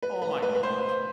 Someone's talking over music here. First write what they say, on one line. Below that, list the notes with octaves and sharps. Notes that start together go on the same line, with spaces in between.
Oh my gosh.
B4
B4
B4
B4
C5